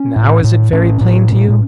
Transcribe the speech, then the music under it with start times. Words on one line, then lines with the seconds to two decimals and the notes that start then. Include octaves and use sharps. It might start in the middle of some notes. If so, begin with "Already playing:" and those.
Now is it very plain to you?
Already playing: C#4
0.16 A2
0.44 A2
0.72 A2 C#4
1.01 A2
1.30 A#2